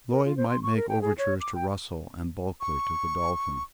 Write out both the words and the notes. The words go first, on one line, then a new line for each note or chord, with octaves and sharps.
Lloyd might make overtures to Russell, and Bulkeley to Godolphin.
A#4
F4
C5
C6
C#6
A#4
G5
G#4
C#5
D6
G5
C#6